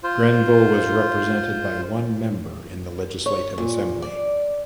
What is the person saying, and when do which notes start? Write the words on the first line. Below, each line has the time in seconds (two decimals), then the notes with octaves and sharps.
Grenville was represented by one member in the Legislative Assembly.
0.04 F4 C5
3.26 C#5
3.58 A#2
4.02 D5